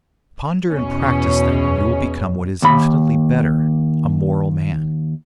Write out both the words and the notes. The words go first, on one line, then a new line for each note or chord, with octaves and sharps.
Ponder and practise them, and you will become what is infinitely better--a moral man.
E2 B2 C#4
D#2 B5